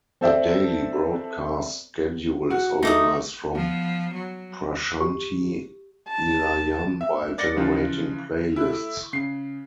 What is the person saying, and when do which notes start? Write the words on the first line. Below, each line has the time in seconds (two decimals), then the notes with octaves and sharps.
The daily broadcast schedule is organized from Prashanthi Nilayam by generating playlists.
0.21 C4 A4 C5 D5 E5 G5
2.51 F#4
2.83 A3 D#4 D6 D#6
3.50 F3 B3
4.14 F#3
5.01 G4
6.08 A5
7.01 E5
7.38 D5 A6 A#6 C#7
7.57 C#3 E3 F3 F4 B4
8.56 A3 E4
9.13 C#3 C7